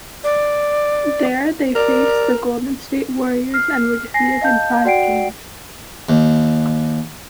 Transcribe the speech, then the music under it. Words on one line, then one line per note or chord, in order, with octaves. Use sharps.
There they faced the Golden State Warriors and were defeated in five games.
D5
A#4 D5
F6 C7
G#5 A#6 C7
D#5 F5 A5 G6
F#4 D5 F#5 G5 C7 D7
D#2